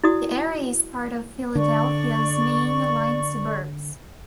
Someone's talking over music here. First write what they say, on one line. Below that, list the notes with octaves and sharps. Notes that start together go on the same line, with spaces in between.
The area is part of Philadelphia's Main Line suburbs.
E4 F#4 D5 C6 D#6
D3 D5 C#6